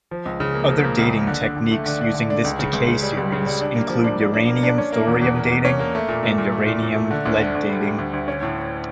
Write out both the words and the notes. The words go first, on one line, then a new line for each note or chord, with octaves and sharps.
Other dating techniques using this decay series include uranium-thorium dating and uranium-lead dating.
F3
C#2
C#3
A#3
F3
A#3
C#2
A#3
D3
D4
D3
A3
D3
D4
D3
D4
C#2
C#3
C#2
C#3
G3
C#2
C#3
G3
D4
A#3
F3
D4
D4
D4
A#3
D4
C#4
A#3
E2
E2
A#3
E2
C#4
A#3
A3
A#2
A#2
A#2
A3
A#2
A#2
A3
D3
D2
D3
D2
G3
G3
D2
D2
C#4
A2